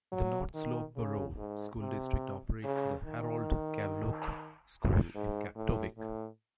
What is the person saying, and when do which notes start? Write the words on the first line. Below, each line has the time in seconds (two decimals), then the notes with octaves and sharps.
The North Slope Borough School District operates the Harold Kaveolook School in Kaktovik.
0.12 F#3
0.54 D#3
0.96 C#3
1.38 G#2
1.80 C3
2.64 C#3
3.06 D#3
5.15 G#2
5.56 A2
5.98 A2